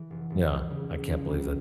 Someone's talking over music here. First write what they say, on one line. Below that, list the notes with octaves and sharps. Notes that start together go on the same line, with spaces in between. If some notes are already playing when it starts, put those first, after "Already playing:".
yeah. I can't believe that
Already playing: E3
F1
F1
F1
C#3
C#2
F3
C#2